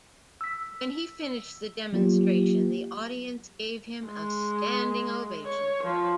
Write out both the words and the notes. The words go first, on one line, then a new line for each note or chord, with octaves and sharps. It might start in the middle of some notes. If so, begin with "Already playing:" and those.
When he finished the demonstration, the audience gave him a standing ovation.
E6 B6
F#3 A#3 F4 G4
G#3
C#5
F3